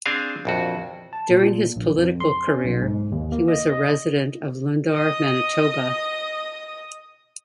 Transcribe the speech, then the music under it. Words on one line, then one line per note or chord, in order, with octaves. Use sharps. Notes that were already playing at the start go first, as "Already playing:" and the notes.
During his political career, he was a resident of Lundar, Manitoba.
C4 D4 G#4 C5 F5 G#5
A#1 F2 F#4
A5
A#2
A#1
F2
C6
C#4
B1
G#2
D#2
A#3
D#5
D#5
D#5 D#6